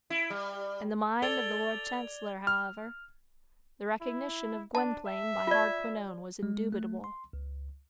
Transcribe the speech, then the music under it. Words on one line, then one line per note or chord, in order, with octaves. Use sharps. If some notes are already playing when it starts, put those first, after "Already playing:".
In the mind of the Lord Chancellor, however, the recognition of Gwynplaine by Hardquanonne was indubitable.
E4
G3
A4 D5 G#6 A6 F7 G7
F6
E4
D4 A5
E5
F4 D5
G#3
A3
C6
C#2